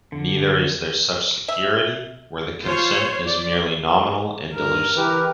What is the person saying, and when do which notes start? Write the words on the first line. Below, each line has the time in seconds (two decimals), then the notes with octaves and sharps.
Neither is there such security, where the consent is merely nominal and delusive.
0.12 D3
1.48 E5
2.61 F4 C5 C#5
3.25 D5
4.54 G2 A#4
4.96 E3 G4 B4